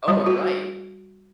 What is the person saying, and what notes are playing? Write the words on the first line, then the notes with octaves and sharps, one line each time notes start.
Oh, right.
G3
F#4